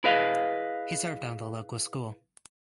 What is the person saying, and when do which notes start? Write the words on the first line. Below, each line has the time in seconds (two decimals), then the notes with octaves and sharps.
He served on the local school.
0.04 E4 G#4 B4 D#5 F5